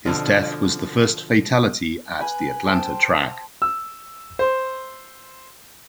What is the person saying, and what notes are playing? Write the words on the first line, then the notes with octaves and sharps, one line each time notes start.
His death was the first fatality at the Atlanta track.
B2 D3 F3
B4 G#5 B5
C5 G5 A5
E6
C5